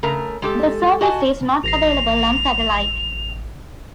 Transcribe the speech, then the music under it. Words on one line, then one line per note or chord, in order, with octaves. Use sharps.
The service is not available on satellite.
C#3 A3 A#4 A#5
G#3 G4 A4
F#4 D#5 G#5 A5
A1 A#6 C7 F7